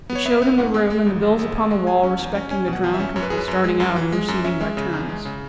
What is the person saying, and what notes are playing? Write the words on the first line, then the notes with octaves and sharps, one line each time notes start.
It showed him the room, and the bills upon the wall respecting the drowned people starting out and receding by turns.
B3
C#5
B3 E5
B3
G#2 F#5
G#3
G#3
G#1
G#1
G#1
G#1
G#3
F#3 G#5
C#4
E2
C#4
C#4 G#5
B2
F#5
E2
E5
C#4
F#2 C#5
B4
F#2 G#4
B4
F#2
G#3
F#2
E3
G#3
F#2
C#4 E5
G#3
C#3
E2
G#3
C#3